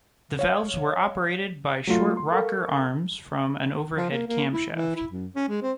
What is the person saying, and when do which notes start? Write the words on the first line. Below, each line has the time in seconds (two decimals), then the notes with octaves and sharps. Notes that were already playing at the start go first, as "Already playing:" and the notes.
The valves were operated by short rocker arms from an overhead camshaft.
0.39 C#5 F5
1.87 F#3 A3 F4
2.17 C6
2.32 A4 A#4 F5 C#6 F6
3.97 F3
4.10 A#3
4.27 A#3
4.53 E4
4.72 E3
4.96 E4
5.10 F#2
5.35 C#4
5.48 G#3
5.62 C4